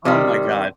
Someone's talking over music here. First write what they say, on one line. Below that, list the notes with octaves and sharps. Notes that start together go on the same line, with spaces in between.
Oh my god.
C3 D#3 G3